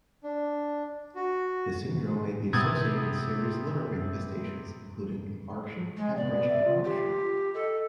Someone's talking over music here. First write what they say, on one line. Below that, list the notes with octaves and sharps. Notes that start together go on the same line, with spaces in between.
The syndrome may be associated with serious liver manifestations, including infarction, hemorrhage, and rupture.
D4
F#4
C3 B3 D#6 G#6 A6
G#3
B3 D5
E5
F4
G4
A4 D#5